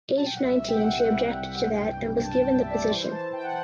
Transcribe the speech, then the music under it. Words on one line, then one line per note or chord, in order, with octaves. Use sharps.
Aged nineteen she objected to that and was given the position.
A5
G5
F#5
C2 E5
G5
C3 F#5
G3
C2
F#5
G2 G5
G2
A5
G2 G5
G5
G3 E5
D5
D5
E3 C5
A5
E3
G5
F#5